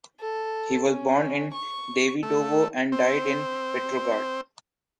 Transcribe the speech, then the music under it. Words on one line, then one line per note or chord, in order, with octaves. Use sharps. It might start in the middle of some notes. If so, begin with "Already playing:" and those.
He was born in Davydovo and died in Petrograd.
A4
C#4
C#6
A3
C4